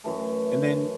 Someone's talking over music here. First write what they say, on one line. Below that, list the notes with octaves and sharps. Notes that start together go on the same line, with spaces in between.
And then
F#2 E3 A3